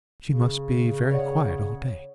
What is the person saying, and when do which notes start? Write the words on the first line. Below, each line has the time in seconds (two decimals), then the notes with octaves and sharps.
"She must be very quiet all day."
0.23 C#3
1.11 C#5 D5 F#5